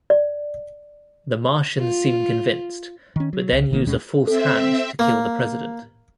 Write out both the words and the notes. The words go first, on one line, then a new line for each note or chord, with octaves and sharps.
The Martians seem convinced, but then use a false hand to kill the President.
D5
F4
D#3 C#4
F#3
C2
A1 D#3 A#3
D#2 B2 G#3 C#4
C4 A4 E5
A#3